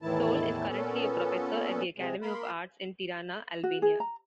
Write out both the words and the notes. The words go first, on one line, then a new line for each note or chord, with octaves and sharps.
Tole is currently a Professor at the Academy of Arts in Tirana, Albania.
E2 A2 D#3 E3 E4 A5
A#2 B3 C#4 A4
C3 G#3
A#3 A#4 B5 C6
F#4
G#4
A#5